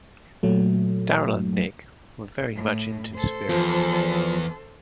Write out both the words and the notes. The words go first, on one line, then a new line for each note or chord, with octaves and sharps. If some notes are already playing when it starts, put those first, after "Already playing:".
Darryl and Nick were very much into Spirit.
A#2 F#3 A3
A2
A4 C5
E2 F3